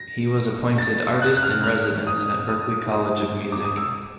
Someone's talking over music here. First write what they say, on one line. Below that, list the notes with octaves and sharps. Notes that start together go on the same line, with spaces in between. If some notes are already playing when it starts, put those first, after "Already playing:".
He was appointed artist in residence at Berklee College of Music.
Already playing: A#6
A6
F#6
F#6
F6
F6
D#6
D#6
D#6
D6
D#6
E6